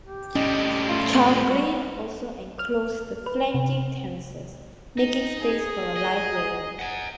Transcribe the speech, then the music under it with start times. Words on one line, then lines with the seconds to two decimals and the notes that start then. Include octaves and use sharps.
Chalgrin also enclosed the flanking terraces, making space for a library.
0.05 G4
0.35 A2 G3 C#4 D#5
0.89 A3 F4
1.50 G3 F#4
2.59 F6
3.26 B4
3.54 C3
4.98 D#4
5.42 G#4
5.96 D#5
6.79 F#5 G#5